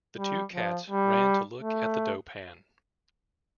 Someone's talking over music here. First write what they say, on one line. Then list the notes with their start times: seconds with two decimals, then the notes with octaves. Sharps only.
The two cats ran to look at the dough pan.
0.18 G3
0.53 F3
0.90 G3
1.62 A3